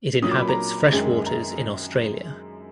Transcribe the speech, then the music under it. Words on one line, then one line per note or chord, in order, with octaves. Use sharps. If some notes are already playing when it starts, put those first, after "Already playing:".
It inhabits freshwaters in Australia.
A#2 F#3 D#6
D6
B5
A#5
F#2 D#3 G#3
A#5